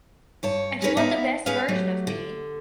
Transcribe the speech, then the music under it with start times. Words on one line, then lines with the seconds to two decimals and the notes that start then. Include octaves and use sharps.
if you want the best version of me,
0.43 G2 C#5 A5
0.82 C#4 D#4 G#4 A#4 B4 C#5
0.97 B3 D#4 D5 E5 F5
1.46 G3 B3 C#4 G#4 B4 F5
1.68 F#3 A3 G4
2.07 D3